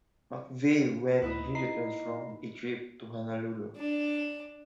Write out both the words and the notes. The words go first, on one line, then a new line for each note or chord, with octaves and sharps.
McVeigh when he returns from a trip to Honolulu.
D2 D#4 E4 B4
D#5 A#5 C7
D4